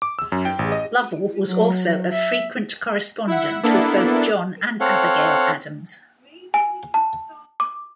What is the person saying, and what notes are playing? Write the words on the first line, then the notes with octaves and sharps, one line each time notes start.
Lovell was also a frequent correspondent with both John and Abigail Adams.
D6
E6
F#2
G5
A1
D#5
F#3
E5
E4 E5 F#5
A#3 B3 D4 E4 A4
C4 A4 C#5 F5 F#5
G#5
A5
D6